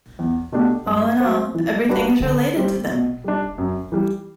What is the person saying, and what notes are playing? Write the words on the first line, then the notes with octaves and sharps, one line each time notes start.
All in all, everything is related to them!
E2
B2 A3 D4 G4
G2
F#3 C4
E3
G3 D4 F#4 B4
D3
G3 C4
B2
G3 D4
F#2
E3 G3